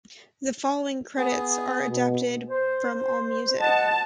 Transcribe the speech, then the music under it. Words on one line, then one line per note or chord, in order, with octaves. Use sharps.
The following credits are adapted from AllMusic.
B3 G#4
B2
C5
C5
D#5 F#5 A5